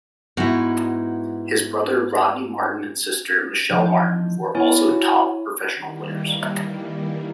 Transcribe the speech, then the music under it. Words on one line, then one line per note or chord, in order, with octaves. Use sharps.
His brother Rodney Martin and sister Michelle Martin were also top professional players.
G#2 B3 E4 F#4
E3 F3 D#4 G6
B3 E4 C#5 G#5
F#4
D#3 E3 G3 A#3